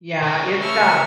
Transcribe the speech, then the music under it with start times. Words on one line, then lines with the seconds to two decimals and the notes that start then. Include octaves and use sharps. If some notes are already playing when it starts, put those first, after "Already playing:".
Yeah, it's, uh
0.23 C#3 G#3
0.61 A3 C#4 E5 C#6 F6